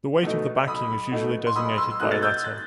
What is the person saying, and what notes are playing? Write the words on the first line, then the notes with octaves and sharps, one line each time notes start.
The weight of the backing is usually designated by a letter.
B2 A3 D#4
B1 B5 D#6
B2 A3 D#4
C6
B1 B5 D#6
C6 E6
E6
B2 A3 D#4 D#6 F#6
A6
E6 G6
F#6 A6